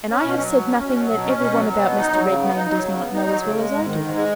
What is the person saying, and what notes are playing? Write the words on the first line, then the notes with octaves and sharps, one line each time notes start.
"And I have said nothing that every one about Mr. Redmain does not know as well as I do."
C#4
B2
F#3
B2
C#4
B2
F#3
B2
C#4
B2
F#3
B2
B3
D#4
F#3
C#3
B3
D#4
F#3
C#3
B3
D#4
F#3
C#3
G#3
G#2
D#3
G#2
G#3